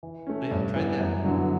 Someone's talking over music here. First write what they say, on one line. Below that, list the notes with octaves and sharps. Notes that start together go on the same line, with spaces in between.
So yeah, try that.
E3
A3 C#4
G2
E3 B3 E4
F#2
D3 F#3 B3 E4